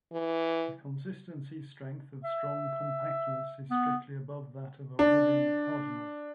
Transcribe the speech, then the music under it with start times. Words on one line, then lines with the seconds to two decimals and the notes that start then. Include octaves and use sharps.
The consistency strength of strong compactness is strictly above that of a Woodin cardinal.
0.13 E3
2.24 E5
3.70 B3
4.99 D4